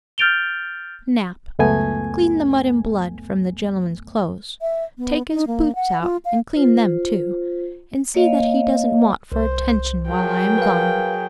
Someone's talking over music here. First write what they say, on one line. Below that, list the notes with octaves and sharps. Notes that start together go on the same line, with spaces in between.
Nap, clean the mud and blood from the gentleman's clothes; take his boots out and clean them too; and see that he doesn't want for attention while I am gone.
F6 G6 A6 D7 F7 G7
C#2 F#2 A3 B3 G#5 G#6
E5
B3
D#4
A#3
F#5
F4
F5
F4 C5
A#3 C#5 D#5 F5
C2 C5
F#3 G#4 A#4 G5
B4 F5